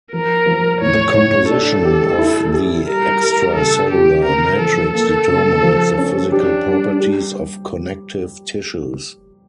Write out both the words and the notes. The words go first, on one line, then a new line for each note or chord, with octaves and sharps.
The composition of the extracellular matrix determines the physical properties of connective tissues.
F3 A#4
F3
A2 C#5
A2 C#5
D4 A4
G4
E4
G4
G3 A#4
G3
C#3 A4
C#3 G4
C#3 A#4
F3 A4
A#3 A4
C#3
F3
C#4
D4 G4
G3
G4